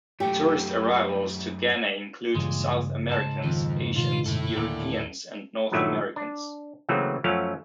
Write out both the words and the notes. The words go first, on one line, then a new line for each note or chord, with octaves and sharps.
Tourist arrivals to Ghana include: South Americans, Asians, Europeans, and North Americans.
F#2 A3 G4
G2 A#2 C#3 E3 G#3
G#2 A5
F2 D#3
B2 D#3 F4
F#2 B2 D3 E4 A4
D#2 A#2 D3
G2 A#2 D#3 F#3 A3 E4
D4
C#3 E3 F#3 A3 A#3 C4
F#2 F3 F#3 A3 C#4 F5